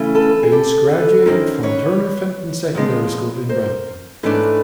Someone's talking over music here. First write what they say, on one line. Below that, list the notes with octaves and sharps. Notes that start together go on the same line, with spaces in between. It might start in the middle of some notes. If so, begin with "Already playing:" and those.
Bains graduated from Turner Fenton Secondary School in Brampton.
Already playing: C#3 E3 A3 C#4
A4 B4
G#4
G4 A4
A4 B4
F#2 D#3 F#3 A#3 C#4 A#4 C5
B4 C#5
A#2 F3 G#3 B3
A#4 C5
G#2 E3 A3 D4 B4 C#5